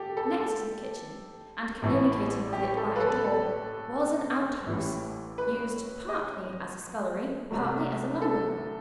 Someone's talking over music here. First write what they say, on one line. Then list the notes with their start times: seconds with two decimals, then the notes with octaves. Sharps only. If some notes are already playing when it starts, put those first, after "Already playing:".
Next to the kitchen, and communicating with it by a door, was an outhouse; used, partly as a scullery, partly as a lumber-room.
Already playing: G4 A4
0.17 A4
0.40 A4
1.82 A1 A2 E3
2.53 G4
2.77 A4
2.96 B4
3.00 A4
3.24 A4
4.66 A1 A2 E3 G3
5.38 B4
6.09 D#5
7.51 C2 C3 F#3 A3
8.22 A4